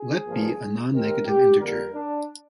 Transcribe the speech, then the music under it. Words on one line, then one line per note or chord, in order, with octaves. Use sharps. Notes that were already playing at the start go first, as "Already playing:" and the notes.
Let be a non-negative integer.
Already playing: G#4
G#1 G2 F3 A#3
D#2 D#3 G#3 C4 A#4
G4
F2 D3 G3 A#3 A#4
D4